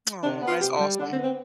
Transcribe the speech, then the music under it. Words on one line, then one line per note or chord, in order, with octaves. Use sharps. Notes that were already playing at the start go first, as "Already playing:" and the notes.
Aw, that's awesome.
C3 D4
D4
B3
F4
C3 G4
G3
D3 D4
C4
B3
C4